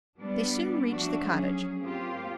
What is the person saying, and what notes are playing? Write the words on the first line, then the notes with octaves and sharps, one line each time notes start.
They soon reached the cottage.
G3 B3 D4
F3 A3 D4 F#4
F#3 C#4 G#4
A#3 C4 F4 G4